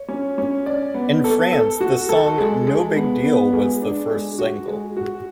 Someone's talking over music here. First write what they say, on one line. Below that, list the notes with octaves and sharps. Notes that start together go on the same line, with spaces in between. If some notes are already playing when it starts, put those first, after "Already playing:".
In France the song "No Big Deal" was the first single.
Already playing: C#5
C#4
C#4
D5
B3
A4
A4
F#4
A4
G#3
G#3
B3
B3
G#3
D4
G#3
F#4
G#3
F#4